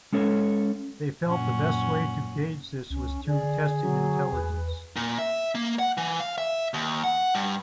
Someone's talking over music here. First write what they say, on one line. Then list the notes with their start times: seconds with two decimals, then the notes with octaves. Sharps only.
They felt the best way to gauge this was through testing intelligence.
0.13 G#3 C#4 A4 C#5
1.26 F#2 A#2 C#4 F#5
2.90 C#2 C#4
3.28 D3 G#4 D5
3.81 F#3
4.33 E2 B4
4.96 A#2
5.18 E5
5.55 A#3
5.79 F#5
5.97 E3
6.20 F5
6.38 E5
6.74 D#2
7.04 F#5
7.35 G2